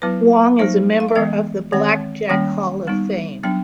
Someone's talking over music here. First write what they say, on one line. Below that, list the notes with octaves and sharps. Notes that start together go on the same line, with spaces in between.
Wong is a member of the Blackjack Hall of Fame.
F#3 B3 E4 B4
F#3 A#3 D#4 C5
F5
E5
E3 G#3 B3 D#5
D#3 G#3 C4 F#5
D#3 G3 A#3 C#4 G5
G3 B3 D#4
F#3 B3 D4 G5